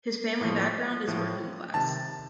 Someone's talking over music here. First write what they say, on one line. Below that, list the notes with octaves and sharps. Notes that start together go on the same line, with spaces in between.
His family background is working class.
A2 F3
A2 F3
C3 D#3 A5